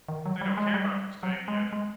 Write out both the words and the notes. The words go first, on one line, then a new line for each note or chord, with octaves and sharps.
If they don't care about the mistake, yeah, then,
D#3
F#3
G3
G#3
G3
F#3
G#3
G#3